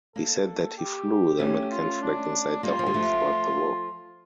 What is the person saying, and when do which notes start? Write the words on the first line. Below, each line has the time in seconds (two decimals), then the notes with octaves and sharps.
He said that he flew the American flag inside the home throughout the war.
0.16 A#3 D4 A4
0.77 G4
1.39 A3 C#4 G4
1.71 F4
2.02 D4
2.63 G3 A#3 F4
2.79 F3
2.87 G3
2.94 F3 A3